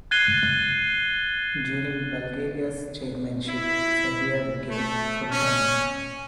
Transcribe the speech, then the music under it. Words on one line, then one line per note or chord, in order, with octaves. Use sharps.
During Bulgaria's chairmanship, Serbia became a full member.
F#6 G#6 A6 C7 D#7 G7
E4
A3
C#4